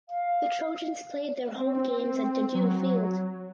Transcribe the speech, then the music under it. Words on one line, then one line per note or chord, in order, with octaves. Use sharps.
The Trojans played their home games at Dedeaux Field.
F5
C4
F#3